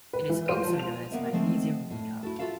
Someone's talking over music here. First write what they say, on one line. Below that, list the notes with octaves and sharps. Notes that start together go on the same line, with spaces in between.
It is also known as magnesium mica.
B4
E3
F4 C5 D#7
F3
F7
A#3 B3 A#4 D#5 E5
F3 G#3 A3 C4 D#4
A2
E4 F#4 A4
F4 F#4 A4 E5 F5